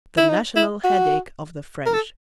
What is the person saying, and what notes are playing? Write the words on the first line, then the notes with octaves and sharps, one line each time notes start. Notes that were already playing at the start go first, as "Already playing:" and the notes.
The national headache of the French.
E4
D#4
E4
F#4
A#4
A4